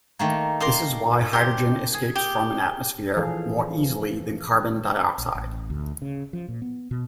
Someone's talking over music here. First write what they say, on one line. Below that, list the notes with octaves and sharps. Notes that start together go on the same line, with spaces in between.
This is why hydrogen escapes from an atmosphere more easily than carbon dioxide.
D#3 A3 A#3
A#4 F5 C6 D6
G4 C5
G#4
G4
E3 F3 G#4 A4 F5
A#1
A1
D2
C#3
F3
A#2
B3
B2